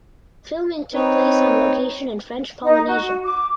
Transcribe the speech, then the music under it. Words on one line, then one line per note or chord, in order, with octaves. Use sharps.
Filming took place on location in French Polynesia.
C4 D#4 B4 C#5
D#4
F#4
D6